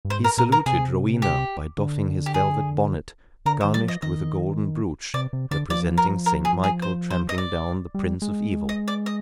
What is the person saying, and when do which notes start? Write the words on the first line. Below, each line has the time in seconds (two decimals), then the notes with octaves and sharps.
He saluted Rowena by doffing his velvet bonnet, garnished with a golden broach, representing St Michael trampling down the Prince of Evil.
0.05 G2
0.10 G#2 C5
0.24 A#4
0.37 A#2 A#4
0.52 A#4
0.66 C3 G#4
1.22 G4
1.78 D3
2.26 G4
2.34 G#4
3.46 D3 A#4
3.61 C5
3.64 D#3
3.74 D5
3.77 G3
3.84 F3 D#5
4.02 D#3 D#5
5.14 C3 D5
5.33 C3
5.51 D3 D5
5.70 F3 D5
5.98 A#4
6.26 A#4
6.45 G#4
6.64 G#4
6.82 C5
7.10 C5
7.29 D#5
7.38 D5
7.95 G3
8.22 G#3
8.69 D#5
8.88 D5
9.06 D#5